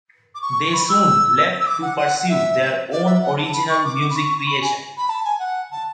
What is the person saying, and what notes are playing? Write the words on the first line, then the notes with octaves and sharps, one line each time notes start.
They soon left to pursue their own original music creation.
D6
C#6
C#6
B5
E6
E6
D6
F#5
F#5
F#5
E5
D5
E5
F#5
A5
B5
C#6
D6
B5
C#6
C#6
B5
G#5
B5
A5
G#5
F#5
A5